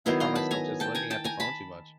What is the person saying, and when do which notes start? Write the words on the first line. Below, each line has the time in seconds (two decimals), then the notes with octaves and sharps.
I found myself just looking at the phone too much,
0.06 D#3 F#3 B3 E4 A#5 C6
0.20 A#5 C6
0.35 A5 B5
0.51 G#5 A#5
0.80 G5 A5
0.95 G#5 A#5
1.10 G5 A5
1.24 G#5 A#5
1.40 A5 B5